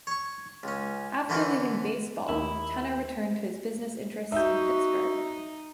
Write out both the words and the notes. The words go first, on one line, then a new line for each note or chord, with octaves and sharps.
After leaving baseball, Tener returned to his business interests in Pittsburgh.
C#5 C#6
C#2 C#4
D3 E3 E4 F#4 A#4 C5
D#2 A#3 D#4 E4
D#4 F#4 E5 G6